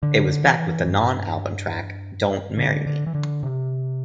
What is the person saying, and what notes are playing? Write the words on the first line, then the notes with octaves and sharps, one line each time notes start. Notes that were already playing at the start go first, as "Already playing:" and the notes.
It was backed with the non-album track "Don't Marry Me".
D3
E3
G2
D3
D3
E3
D3
C3